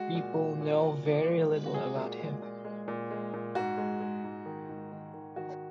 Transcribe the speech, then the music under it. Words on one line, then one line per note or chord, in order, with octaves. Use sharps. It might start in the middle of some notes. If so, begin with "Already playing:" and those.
People know very little about him.
Already playing: G#3 F#4
A#2
A#2
A#2
A#2
A#2
G#3
G#3
F#4
G#3 G#4
A#2
G#3
A#2
G#3
A#2
G#3
A#2
G#2 F#4
G#3
G#3
G#2
D#3
G#2
D#3
D#3
D#3 F#4